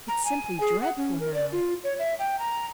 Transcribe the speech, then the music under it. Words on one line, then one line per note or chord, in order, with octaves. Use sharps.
It's simply dreadful now.
A#5
G#5
G#4
F#5
C#4
A#4
D5
F4
C#5
E5
G5
A#5